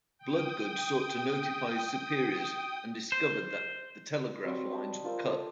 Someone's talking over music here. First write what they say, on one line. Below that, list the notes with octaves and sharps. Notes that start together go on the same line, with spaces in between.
Bloodgood sought to notify his superiors and discovered that the telegraph lines were cut.
G5 D#6
C5
F#3 G3 C4
D#5 G5 A5 B5
F4 A#4 C5 E6
A4